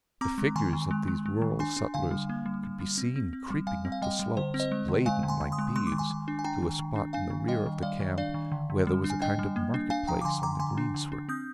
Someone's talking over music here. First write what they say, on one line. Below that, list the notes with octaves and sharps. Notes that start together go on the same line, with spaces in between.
The figures of these rural sutlers could be seen creeping up the slopes, laden like bees, to a spot in the rear of the camp, where there was a kind of market- place on the greensward.
C4 A#5 D6
G#3
D#3 G#5 C6
D#3
G#3
G#3
G#3
D#3
D4 G#5 C6
D4
D3 F5 G#5
G3
A#3
G3
G3
G3
C4
C4
C4
G3
G3 F5 G#5
C4
F5
G3 D#5 G5
G3
D3 C5
C4
C5 D#5
G#3
D3
G#3 F5 G#5
D3
G#5 C6
D3
C6 D#6
G#3
G#3 C6
D#3 D6
G#5 C6
D#3
D4
G#5
D4 G5 A#5
D#3
D#3
D4
D4 F5 G#5
D#3
G3 D#5 G5
D#3
G3 D5 F5
D#3
D4 D5 F5
D#3
D3
D3
G3
D4
G#5
D4 D#5 G5
G3
A#3
D4
D4 F5 G#5
F3 G5 A#5
D6
D3 G#5 C6
D3 A#5 D6
D3 G#5 C6
D4
D3
D4
C4 D#6 G6